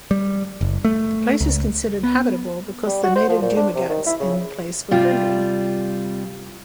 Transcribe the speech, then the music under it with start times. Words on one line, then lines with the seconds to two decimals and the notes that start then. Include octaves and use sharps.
The place is considered habitable, because the Native Dumagats in the place were friendly.
0.11 G3
0.61 F#1
0.85 A3
1.41 C#2
2.03 B3
2.87 G3
3.04 F#4
3.16 C5
3.29 F3
3.42 A#2
3.57 D4
3.75 C3
3.90 D#3
4.06 E4
4.20 C#3
4.91 C3 G3 F4